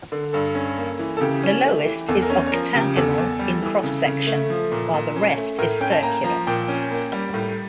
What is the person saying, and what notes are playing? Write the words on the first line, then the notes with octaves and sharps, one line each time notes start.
The lowest is octagonal in cross section while the rest is circular.
D3
G2 A4
C#4
A#3
E3
A4
C#3 G4
C#4
A3
E3
E2 A4
A#4
C#4 C#5
C#5
F3 A#4
C#3 G4
E2 A4
E2
G3
E3
C#3
C#3
A3
F3
A#2
A#2
C#4
A3
A2 A#4
C#4 G5
A5
A#3 A#5
F3 A#5
A#2 G5
C#4
A#3
G3
A2